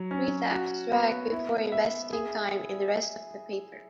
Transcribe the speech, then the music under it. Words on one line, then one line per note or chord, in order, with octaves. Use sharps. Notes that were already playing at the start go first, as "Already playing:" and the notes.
Read the abstract before investing time in the rest of the paper.
Already playing: F#3
C#4
F#4
B3
E4
E5
G#4